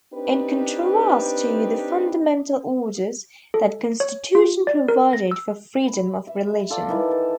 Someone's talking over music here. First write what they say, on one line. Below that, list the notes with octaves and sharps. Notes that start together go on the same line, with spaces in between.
In contrast to the Fundamental Orders, that constitution provided for freedom of religion.
C4 D4 D#4 G4 B4
A4
C#5
F4
D5
A#4
A#6
E6
B5
E5
F4 A4 D5 G5
D#3 E3 E4
A5